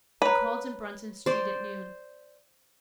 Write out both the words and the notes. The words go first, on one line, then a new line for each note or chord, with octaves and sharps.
I called in Bruton Street at noon.
B4 C#5 A#5
C5 D5